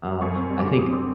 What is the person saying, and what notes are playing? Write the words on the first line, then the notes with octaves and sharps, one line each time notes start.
Um, I think
F#2 C#6
C4 C#6
G3
D3 D6
F#2 D#6
C4